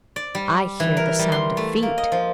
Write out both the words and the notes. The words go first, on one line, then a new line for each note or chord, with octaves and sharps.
"I hear the sounds of feet!"
D5
G3
E3
A#4
G3
C6
A3
A#3
D#5
F3